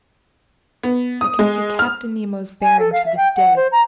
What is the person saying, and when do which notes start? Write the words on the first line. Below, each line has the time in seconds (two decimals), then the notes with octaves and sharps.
I can see Captain Nemo's bearing to this day.
0.83 B3
1.21 D#6
1.39 G#3
1.79 F6
2.62 G#5
2.79 A4
2.92 F5
3.06 E5
3.17 G5
3.36 F#5
3.56 C5
3.72 A#5